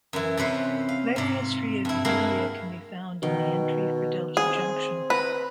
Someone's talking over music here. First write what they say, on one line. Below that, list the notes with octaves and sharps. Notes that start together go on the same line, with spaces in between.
Later history of the area can be found in the entry for Delta Junction.
F#2 E3
C3 C#4 B4 C5
F5
G#2 C3
G2 E4
G2 G#3 A#3 E4 F#4 F5
B2 D#3
C4 G#4
B4 A#5